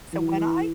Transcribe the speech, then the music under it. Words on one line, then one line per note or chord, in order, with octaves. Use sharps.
So, what I
E3